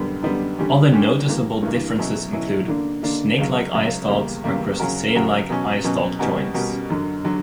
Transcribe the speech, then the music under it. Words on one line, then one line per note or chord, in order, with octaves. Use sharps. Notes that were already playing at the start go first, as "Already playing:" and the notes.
Other noticeable differences include snakelike eyestalks or crustacean like eyestalk joints.
Already playing: F#2 D3 G3 B3 D4
F#2 D3 G3 B3 D4
D3 G3 C#4 G4
D3 G3 C#4 G4
G2 E3 A#3
G2 E3 A#3
B2 F#3 C#4 E4
B2 F#3 C#4 E4
D3 A#3 D4
D3 A#3 D4
C#2 C#3 F#3
C#2 C#3 F#3
E2 C#3 G3 A#3
E2 C#3 G3 A#3
C#3 F#3 C#4 F#4 A#4
C#3 F#3 C#4 F#4 A#4
B2 F#3 C#4
B2 F#3 C#4
B2 G3 C#4 F#4 A#4
B2 G3 C#4 F#4 A#4
F#2 D3 F#3
D3 F#3